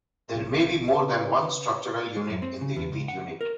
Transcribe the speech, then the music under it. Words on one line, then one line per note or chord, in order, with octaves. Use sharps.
There may be more than one structural unit in the repeat unit.
A#1 C3
C#3 B4 C#5
G#3
F#2
C4
C#3
E2
C#2
F#5
A#4